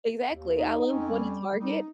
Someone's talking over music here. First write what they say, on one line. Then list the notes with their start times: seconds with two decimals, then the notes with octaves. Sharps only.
Exactly. I love going to Target.
0.31 D#2
0.56 D#4
0.91 F2 C4 C#4
1.10 G3
1.59 G3 D#4